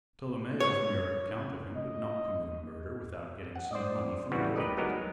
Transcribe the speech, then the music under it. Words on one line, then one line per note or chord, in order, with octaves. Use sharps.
Tolomeo, from your account of him, would not commit a murder without getting some money from doing it.
C#5
D#5
F#5
C5 D5 D#5
A2 C#3 E3 G3 B3 F#4
D#4 G4 A#4 B4 D5 D#5
F#3 G#3 B3 D#4 A#4